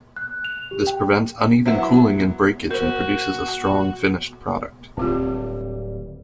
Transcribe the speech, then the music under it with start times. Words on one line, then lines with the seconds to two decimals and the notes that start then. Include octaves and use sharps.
This prevents uneven cooling and breakage and produces a strong finished product.
0.16 F#6
0.45 F7
0.71 G4
0.87 G5
1.66 F#3 B3 E4 C5 F#5
2.71 F#4 A#4 C5
4.97 D1 G3 C4 F4 G4